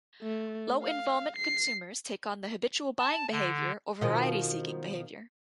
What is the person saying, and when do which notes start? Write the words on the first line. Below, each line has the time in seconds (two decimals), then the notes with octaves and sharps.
Low involvement consumers take on the habitual buying behaviour or variety seeking behaviour.
0.22 A3
0.84 F5
1.37 C7
2.99 A5
3.31 D3
4.01 B2 D#3 F3